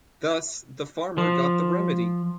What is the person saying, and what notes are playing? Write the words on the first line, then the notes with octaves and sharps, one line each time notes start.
Thus the farmer got the remedy.
F3